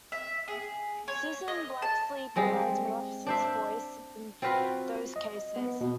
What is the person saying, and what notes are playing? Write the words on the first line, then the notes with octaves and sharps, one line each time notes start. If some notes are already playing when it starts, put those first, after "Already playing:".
Susan Blakeslee provides Maleficent's voice in those cases.
E5
G#4
C#5
D#5
A5
G3 G#3 C4
D4 C5 E5
C4 F4 F#4 B4
D#5
B3
B2